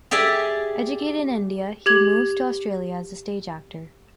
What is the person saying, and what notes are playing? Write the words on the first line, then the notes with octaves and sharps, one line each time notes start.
Educated in India, he moves to Australia as a stage actor.
G4 G#4 D5 E5
G4 G#6 F#7